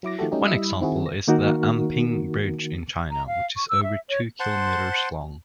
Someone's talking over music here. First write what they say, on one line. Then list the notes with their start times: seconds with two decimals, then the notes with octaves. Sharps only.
One example is the Anping Bridge in China, which is over two kilometres long.
0.03 F#3 E4 D6 A#6
0.19 D#3 F3 A3 F#4 G4 A4
0.32 F#3 G3 A3 C#4 D#4 G4
0.46 G3 E4 D#5 B5 E6
0.80 D#3 C4 E4 F#4 G#4
1.06 A#6
1.28 D#3 A#3 D#4 F#4 A#4
3.11 A#5
3.27 F5
3.56 C#6
3.69 E6
3.83 E5
4.10 C#5
4.40 C5 F#5 A5 C6